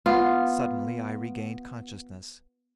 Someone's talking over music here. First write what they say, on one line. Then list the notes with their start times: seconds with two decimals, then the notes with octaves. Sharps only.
Suddenly I regained consciousness.
0.06 B3 F4